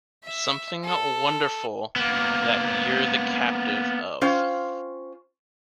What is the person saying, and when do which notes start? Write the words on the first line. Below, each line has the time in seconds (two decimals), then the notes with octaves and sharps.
Something wonderful, that you're the captive of.
0.23 E5
0.84 A4
1.96 A#3 B3
4.21 C#4 F4 C5 F5 G5